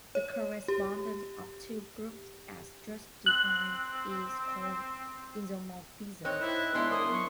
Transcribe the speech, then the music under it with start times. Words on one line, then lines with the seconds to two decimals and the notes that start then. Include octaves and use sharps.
The correspondence of two groups as just defined is called isomorphism.
0.15 C#5
0.68 G4
3.26 C4 F#6
6.25 C4 D#4 C#5 F#6
6.41 E4 C5
6.75 G#3 B3 D4 E4 C6
6.91 A#3 D#6
7.11 F#3 C#6